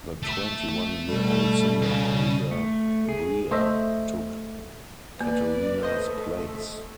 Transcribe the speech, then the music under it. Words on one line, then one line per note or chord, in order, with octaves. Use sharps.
The twenty-one year old singer Maria Bria took Catharina's place.
A3 E5
B2 G3 A4
C#3
A3
G#4
A3 C5 D#5 E5
A#3 B4 D5
A3 C5 D#5